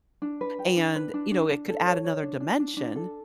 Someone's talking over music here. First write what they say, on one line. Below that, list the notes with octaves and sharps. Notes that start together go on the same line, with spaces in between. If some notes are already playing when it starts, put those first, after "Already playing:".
and, you know, it could add another dimension,
D4
B4
G4
D4
B4
D4
D4
D4
A4
C#5
C#5
D4
D4
D4
D4
A4